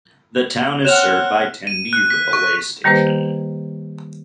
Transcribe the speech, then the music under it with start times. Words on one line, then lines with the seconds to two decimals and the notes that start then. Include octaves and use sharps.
The town is served by Tenby railway station.
0.85 C4 C#5 F#5 F6 F#6 E7 F7
1.67 D#7
1.93 F#6
2.10 B6
2.33 C#6
2.84 D#3 G3 A#3 G4 B4 C5